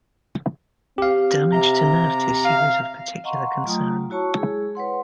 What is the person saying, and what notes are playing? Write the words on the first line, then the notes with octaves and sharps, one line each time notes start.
Damage to nerve tissue is of particular concern.
C4 G4 F5
C3 A#5
F5
D#5 F5 F#5 A#5 C6 C#6
F#3 A3 F4 G5 A#5 D#6
E4 F#4 C#5 A5 C#6
G#3 E4 G#4
B4 C#5 F#5 C6